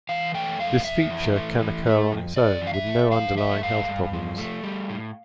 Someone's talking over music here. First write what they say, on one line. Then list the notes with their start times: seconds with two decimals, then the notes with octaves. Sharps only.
This feature can occur on its own, with no underlying health problems.
0.09 E3 F5
0.34 A3 G5
0.60 F2 F5
0.84 F2 E5
1.10 E3
1.36 A3
1.61 E3
1.86 A3
2.12 F2
2.36 F2 D5
2.62 E3
2.67 F5
2.74 E5
2.87 A3
3.12 F3 F5
3.38 A3 E5
3.62 G2 F5
3.88 G2
4.13 F3
4.38 A3
4.63 G3
4.89 A2